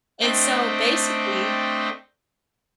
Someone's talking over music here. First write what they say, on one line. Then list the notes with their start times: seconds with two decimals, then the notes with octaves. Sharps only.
And, so, basically
0.22 A3 C4 D4 D#5 G5